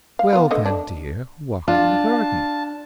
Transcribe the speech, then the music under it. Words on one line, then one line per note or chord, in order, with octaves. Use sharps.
'Well then, dear, walk in the garden.'
F5
B3 F4
D3 A3 D#5
D4
D4 F4 A5